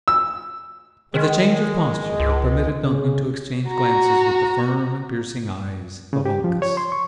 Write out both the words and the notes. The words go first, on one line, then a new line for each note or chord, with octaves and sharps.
But the change of posture had permitted Duncan to exchange glances with the firm and piercing eyes of Uncas.
E6
D#3 G#3
C#2
C#3
F#4 A#5
C#3
G4
F3
C#5
C6
C#6